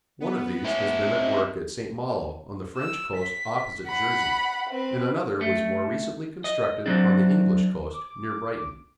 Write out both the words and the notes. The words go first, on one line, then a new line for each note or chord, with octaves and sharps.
One of these has been at work at St. Malo on the French coast opposite Jersey, and another was more recently constructed on the English coast near Brighton.
B3 B4
C#4 E4
C4 D#4
E6
B6
F#5 B5
C4 B4
A3
D#5
F#3 C4 D4
D6